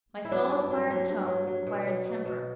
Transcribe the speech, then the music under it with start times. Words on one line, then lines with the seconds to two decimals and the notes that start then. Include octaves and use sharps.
My soul acquired tone--acquired temper.
0.25 E4
0.31 F#3 D4
0.50 G2
0.71 F#3
0.90 F#3
1.10 G2
1.28 F#3
1.47 F#3
1.67 B2
1.87 F#3
2.06 B2
2.25 B2